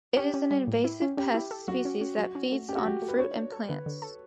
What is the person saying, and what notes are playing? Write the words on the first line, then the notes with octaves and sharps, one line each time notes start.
It is an invasive pest species that feeds on fruit and plants.
C#4 G4
C#4
G3
A2
E4
C#4
C#4 G4
E4
A4
F#3 F#4
C#4
C#4
F#3
C#4
A3
C#4 G4
F#4
F#3 G4
A3
B4
D4 C#5
D4
A4
D3 B4
D3
A4